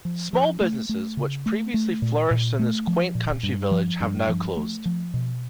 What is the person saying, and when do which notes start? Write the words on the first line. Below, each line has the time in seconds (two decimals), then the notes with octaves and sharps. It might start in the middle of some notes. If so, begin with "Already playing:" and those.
Small businesses which previously flourished in this quaint country village have now closed.
0.05 F3
0.33 F3
0.61 A3
0.89 A3
1.17 C#3
1.46 A3
1.74 A3
2.02 A#2
2.31 A#2
2.59 A3
2.87 F3
3.15 A#2
3.43 G2
3.71 F3
4.00 G2
4.29 F3
4.57 A3
4.86 F3
5.14 B2